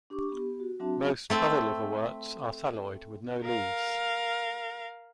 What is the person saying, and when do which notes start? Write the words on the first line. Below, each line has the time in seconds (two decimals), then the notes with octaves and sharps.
Most other liverworts are thalloid, with no leaves.
0.10 D4 G4 C#6 D6
0.29 B3 G4
0.60 F#4
0.80 F#3 C4 D4 F#4 E5 A5
1.30 A3 C4 A4
3.44 A#4 F5